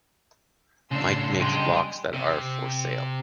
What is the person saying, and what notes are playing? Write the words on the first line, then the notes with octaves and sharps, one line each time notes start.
Mike makes blocks that are for sale.
A2 C#3 D4 C6 E6
G3 G5 G#5 C6
C3